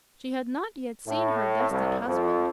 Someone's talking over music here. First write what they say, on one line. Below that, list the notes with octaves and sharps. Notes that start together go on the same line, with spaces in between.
She had not yet seen her destined husband.
A2
C2
F2